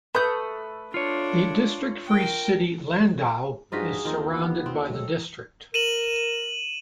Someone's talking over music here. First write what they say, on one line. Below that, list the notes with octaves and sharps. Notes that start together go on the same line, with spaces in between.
The district-free city Landau is surrounded by the district.
A3 B4 D#6 G6
D4 F4 C#5
A#4 G5
G2 D#4 F4 F#4 G#4 C5 A#6 B6
D#2 D#3 C4 F4 A#5
B3 F4
C4
F#3 G#3 A3 A4
A#4 D#7 E7 F#7